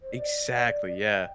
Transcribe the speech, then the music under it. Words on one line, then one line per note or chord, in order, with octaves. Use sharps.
Exactly, yeah.
C5
D#5
D5
D5
D#5
G5